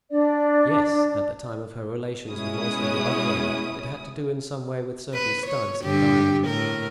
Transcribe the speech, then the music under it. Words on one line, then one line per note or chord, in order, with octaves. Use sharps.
"Yes, at the time of her relations with Monsieur de Buckingham; it had to do in some way with certain studs and diamonds."
D4 D5
B2 G#3 C#4 E4 D#6
B4
C#5
G2 D3 G4
A2 A#4